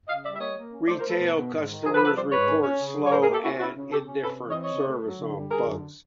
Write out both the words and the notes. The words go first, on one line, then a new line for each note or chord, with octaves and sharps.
Retail customers report slow and indifferent service on bugs.
C#3 D#5 F5
G3 D5 E5
E5
A#3 C#5 D#5
A#3
C#4
A3 C5 D5
A#4 C5
A3
A4 B4
B2
B2
G#2
D#3
F3 G#4 A#4
A4 B4
F3
A4 B4
G3 C5 D5
G#2 B4 C#5
C#4
C#4
C#3
F#3
C#5
A2 A#4 C5
G#4 A#4
A#3
G4 A4
C#4 E4 F#4
C#4 E4 F#4
C#3
C#3 G4 A4
C#4
C3 A4 B4
E3
C#5 D#5
C4
C#5 D#5
C#3
A3
F#3
D3
G3
D3 G#4 A#4
F#2